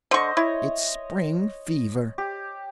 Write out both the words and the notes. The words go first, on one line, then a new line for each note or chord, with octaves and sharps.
It's spring fever.
D3 C5 D#5 C#6
E4 C#5
G4